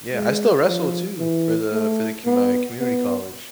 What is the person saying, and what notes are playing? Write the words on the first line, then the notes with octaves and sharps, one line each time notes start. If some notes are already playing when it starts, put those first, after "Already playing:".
yeah, I still wrestle, too, for the for the commu my community college.
G#3
F3
E3
A3
B3
B3